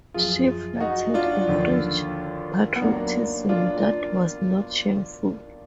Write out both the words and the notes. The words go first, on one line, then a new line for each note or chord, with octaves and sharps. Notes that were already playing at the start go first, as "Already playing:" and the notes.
She flattered a French patriotism that was not shameful.
F#2 F3 F4 G#4
D#4 F#4
D4 F4
D#2 D3 F3
B3
D#2 D#3 F#3 A#3 D4
D4 F4